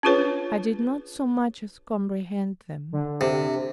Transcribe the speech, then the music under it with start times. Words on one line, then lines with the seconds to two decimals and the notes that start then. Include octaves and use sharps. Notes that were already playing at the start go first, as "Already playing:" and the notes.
I did not so much as comprehend them.
0.03 C#4 D4 F4 G#4 B4 C#5
2.93 D3
3.21 C3